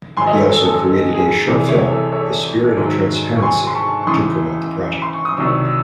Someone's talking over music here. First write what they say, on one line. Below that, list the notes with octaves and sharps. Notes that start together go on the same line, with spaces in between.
He also created a short film, "The Spirit of Transparency", to promote the project.
G#2 D#3 F#3 G#5 C6
D#5
A4 C#5
A4 C#5
A4
A4
G#4
C2 C3 E3 G#4
C#5 E5
A4
A4 C#5
G#2 D#3 F#3
C#6
G#5 C6
C6
A5 C#6
C#6
C#2 C#3 E3 C6 D#6
C6
C#6
D#6
C2 C3 D#3 F#3 C#6 E6
E6